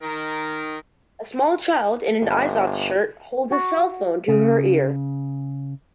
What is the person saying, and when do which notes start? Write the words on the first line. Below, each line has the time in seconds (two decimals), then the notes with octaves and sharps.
A small child in an Izod shirt holds a cellphone to her ear.
0.02 D#3 A#4
2.21 G1
3.51 F#4
4.28 C#3